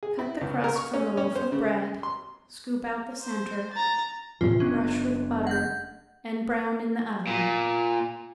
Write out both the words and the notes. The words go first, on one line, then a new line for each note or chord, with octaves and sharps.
Cut the crust from a loaf of bread, scoop out the center, brush with butter and brown in the oven.
G#4
E4
C#2
A#4
C#6
C#4
C#4
C5
C#3
C6
C5
A#5 A6
A2 C3 E3 F4
F#1 B3 C#4 D4
F#5 G6
A#2